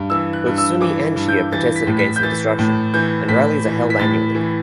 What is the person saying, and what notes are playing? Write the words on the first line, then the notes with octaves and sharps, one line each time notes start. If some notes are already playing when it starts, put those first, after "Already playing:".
Both Sunni and Shia protested against the destruction and rallies are held annually.
Already playing: G2
E3 E6
F#6
G2
E6
E3 D6
G2
G6
E3 A6
B6
A2
B6
G6
E3 A6
A2
E3 G6
A2 B6
E3
B6
A2 A6
E3